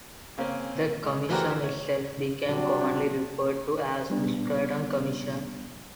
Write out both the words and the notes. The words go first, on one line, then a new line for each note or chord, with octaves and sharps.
The commission itself became commonly referred to as the Stratton Commission.
C#3 A#3 C4 C#4
G#3
E3 A3 F#4 G4 A#4 C5
C#5
F#3 G3 C4 D4
G3 B3 D4